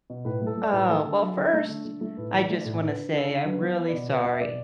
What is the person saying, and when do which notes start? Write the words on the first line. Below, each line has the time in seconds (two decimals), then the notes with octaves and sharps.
Oh. Well, first, I just wanna say I'm really sorry.
0.10 B2
0.25 A2 B4
0.42 A3
0.47 A4
0.57 A3 D5
0.68 A2 B4
0.89 A3 A4
1.06 D3
1.21 F#3
1.37 D3
1.53 A3
1.69 D3
1.85 A3
2.01 A3
2.17 A2 B4
2.34 E3
2.39 D5
2.50 A3
2.60 A2 D5
2.81 D3 B4
2.98 D3
3.13 D3 A4
3.29 D3
3.45 F#3 B4
3.61 B3
3.67 B4
3.77 B3
3.88 D5
3.94 B2
4.08 B2 B4
4.24 B2 F#5
4.33 E5
4.40 B2 D5